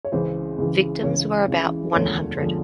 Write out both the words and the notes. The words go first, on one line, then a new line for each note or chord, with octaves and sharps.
Victims were about one hundred.
C#5
C#2 C#3 E3 C5
C#2 C#3 E3
C#2 C#3 E3 C#5
C#2 C#3 E3
E1 D2 D3 F3 C#5
E1 D3 F3